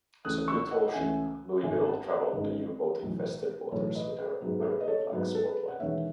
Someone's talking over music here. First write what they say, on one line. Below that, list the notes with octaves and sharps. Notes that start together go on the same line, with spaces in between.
As a neutral ship, "Louisville" traveled the U-boat-infested waters with her American flag spotlighted.
C#2 C#3 E3 A3 C#4 D#6 F#6
C#6 E6
D#5 F#5
F#5
C#2 C#3 E3 A3 C#4 E5 G#5
G#1 G#2 D#3 G#3 C#4 E5 G#5
F#5 A5
D#5 F#5
G#1 G#2 D#3 G#3 C#4 B4 D#5
B1 A2 E3
B1 A2 E3 A4 C#5
B4 D#5
G#4 B4
G#2 F#3 B3 G#4
A4
G#4 B4
D#5
A4 C#5
G#2 F#3 B3
A4
G#4 B4
F#5
E1 E2 D#3 G#3 B3 C#5 E5